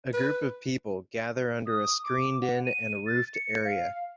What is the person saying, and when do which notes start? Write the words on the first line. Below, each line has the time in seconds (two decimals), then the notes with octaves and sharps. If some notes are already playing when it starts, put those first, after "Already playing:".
A group of people gather under a screened in and roofed area.
0.14 B4
1.66 D#6
2.04 D6
2.42 F#5
2.65 D#7
3.07 A6
3.34 C#7
3.65 F5